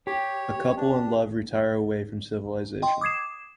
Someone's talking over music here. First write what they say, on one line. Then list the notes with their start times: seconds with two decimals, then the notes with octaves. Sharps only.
A couple in love retire away from civilization.
0.07 G4 C#5
0.77 D4
2.82 D#5 G5 C6
3.01 D6 D#6 G#6 C7 E7